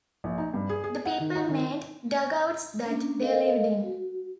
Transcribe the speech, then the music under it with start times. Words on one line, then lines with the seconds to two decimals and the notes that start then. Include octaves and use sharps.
The people made dugouts that they lived in.
0.24 A#1
0.38 D#4
0.54 G2
0.69 G#4
0.84 G#4
1.05 F#5
1.20 D#3
1.35 D#4
1.49 D#3
2.84 A#3 C#4 D4
3.21 A4 A#4 D#5 F5
3.83 F#4